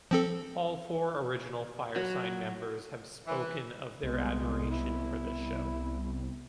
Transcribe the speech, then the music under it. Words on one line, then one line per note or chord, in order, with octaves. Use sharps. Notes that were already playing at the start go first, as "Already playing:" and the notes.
All four original Firesign members have spoken of their admiration for this show.
F3 C4 A4
F#3 F#4 B5
E3
C2 G#3 B3
E4